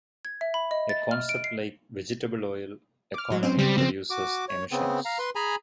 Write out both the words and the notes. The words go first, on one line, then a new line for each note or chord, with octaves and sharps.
A concept like vegetable oil economy produces emissions.
G#6
E5
B5
D#5
A6
F6
D7
C7
D6 F6
A2 F#3
C4 C#4 C5
C#3 G3 C5 A#6
C#3 F3 C4
F#4 D6
C#5
C#3 B3 C4
F5 A#5
B4 C6
G#4 G#5 A#5 B5